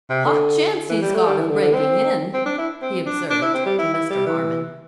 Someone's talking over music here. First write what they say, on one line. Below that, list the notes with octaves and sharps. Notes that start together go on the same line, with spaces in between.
"Hot chance he's got of breaking in," he observed to Mr. Harmon.
C3
D3
E3
G3
A3
G3
E3
D3
D3
C4
C4
D4
E4
C4
D4
D4
E4
C4
G3
E4
E4
G3
E3